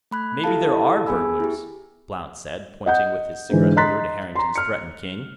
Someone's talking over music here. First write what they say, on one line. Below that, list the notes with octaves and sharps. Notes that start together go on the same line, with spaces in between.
"Maybe there are burglars," Blount said, pointing with his cigarette-holder to Harrington's threatened king.
A3 B5 F#6 G#6
E4 G4 A4 F5 A5
B3 G#4 G#5 B5 E6
E4 G4
D#5 F#5 G6
G#2 D3 E3
D#5 A#5 C6 F#6 A6 B6
A#5 C6
F6 C#7